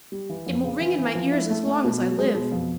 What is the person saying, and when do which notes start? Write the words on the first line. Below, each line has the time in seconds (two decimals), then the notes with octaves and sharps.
It will ring in my ears as long as I live.
0.12 G3
0.29 E3
0.47 F2
0.64 C#3
0.81 E3
0.98 E3
1.15 F3
1.32 E4
1.50 A3
1.66 A3
1.84 B2
2.01 F#3
2.19 G#3
2.35 B2
2.52 F2